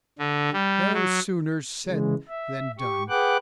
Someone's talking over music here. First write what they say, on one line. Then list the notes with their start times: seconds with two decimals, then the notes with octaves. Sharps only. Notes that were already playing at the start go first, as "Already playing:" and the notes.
No sooner said than done.
0.18 D3
0.53 G3
0.94 F#3
1.86 C#3 E3 G#3
2.29 E5
2.79 G4 C#6
3.09 G#4 B4 F#5 G5 D6 F#6